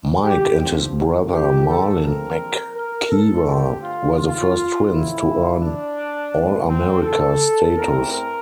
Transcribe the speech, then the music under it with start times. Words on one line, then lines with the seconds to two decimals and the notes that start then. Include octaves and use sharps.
Mike and his brother Marlin McKeever were the first twins to earn All-America status.
0.24 G4
0.59 G2 F3 C4
1.32 G4
1.68 A4
2.04 A#1 A#2 F3 C4 A#4
2.75 A#4
3.10 A4
3.46 G2 D3 A3 C4 G4
3.82 F4
4.17 F4
4.89 A1 A2 F3 E4
5.60 D4
6.32 F2 D3 A3 C4
6.68 C4
7.04 A4
7.76 E2 E3 A3 C4 A#4
8.11 A#4